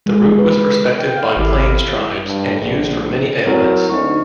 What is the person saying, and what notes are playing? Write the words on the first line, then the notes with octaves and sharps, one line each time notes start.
The root was respected by Plains tribes and used for many ailments.
G#3
B4
G5
F5
G#1 E4 G4 A4
G2
A#1
F#3 C4 E4 A#4
D2 D#4 C#6